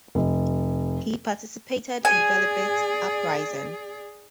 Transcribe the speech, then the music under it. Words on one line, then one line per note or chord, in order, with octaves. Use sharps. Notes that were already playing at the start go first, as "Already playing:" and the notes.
He participated in Velebit uprising.
F1
G#4 D5 G#5